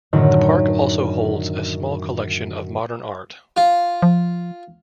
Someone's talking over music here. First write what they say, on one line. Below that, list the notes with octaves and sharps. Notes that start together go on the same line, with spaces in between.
The park also holds a small collection of modern art.
F#2 A2 D3 D#3 F#5
F4
F3